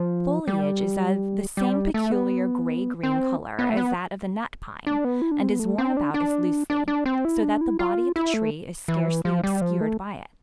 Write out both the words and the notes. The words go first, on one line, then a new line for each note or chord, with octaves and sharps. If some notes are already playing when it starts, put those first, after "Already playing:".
The foliage is of the same peculiar gray-green color as that of the nut pine, and is worn about as loosely, so that the body of the tree is scarcely obscured by it.
Already playing: F3
G3
G3
A3
B3
C4
B3
A3
B3
D4
B3
E4
D4
C4
B3
A3
C4
D4
D4
D4
D4
C4
E4
D4
E4
F4
E4
A3
E3
F3
G3
F3
A3